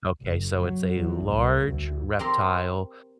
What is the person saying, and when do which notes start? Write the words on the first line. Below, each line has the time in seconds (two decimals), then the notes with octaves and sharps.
Okay, so it's a large reptile
0.21 F#1
0.59 F#3
0.96 E2
1.29 C2
1.65 D2
2.19 C4 G4 A#4 C6